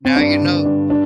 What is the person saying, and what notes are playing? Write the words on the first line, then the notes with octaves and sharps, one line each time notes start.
Now you know.
C4
G2 D4
D3
G2
D4